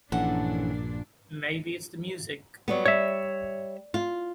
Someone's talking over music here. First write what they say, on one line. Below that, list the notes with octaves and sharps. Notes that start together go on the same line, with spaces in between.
Maybe it's the music.
A#1 G2 A#2 E3 C#4 D4 A4 F#5
F#3 G3 B3
G3 C#5 E5
F4